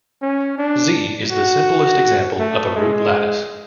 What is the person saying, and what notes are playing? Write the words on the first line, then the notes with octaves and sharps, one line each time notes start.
Z is the simplest example of a root lattice.
C#4
D4
F#4
A3
G#3